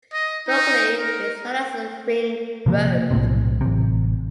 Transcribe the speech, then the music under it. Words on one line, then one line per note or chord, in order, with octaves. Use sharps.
Locally, it is known as Ring Road.
D#5
D#4
A#4
C3 F3 A#3
B1 A2 C3
A1 C3